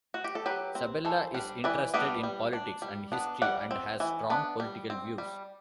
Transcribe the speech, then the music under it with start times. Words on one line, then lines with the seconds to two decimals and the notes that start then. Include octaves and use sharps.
Sabella is interested in politics and history and has strong political views.
0.14 F#4
0.24 G4
0.35 A4
0.46 F#3 G4 B4
0.75 C4
1.05 E3 A4 C5
1.34 G3 D4
1.64 E3 B4 D5
1.94 G3 B3 D4 B4 D5
2.23 G3
2.53 D4
2.82 G3
3.12 B3 D4
3.42 G3 D5 F#5
3.71 C4
4.00 E3
4.30 B3 D4
4.60 G3
4.90 C4
5.18 G3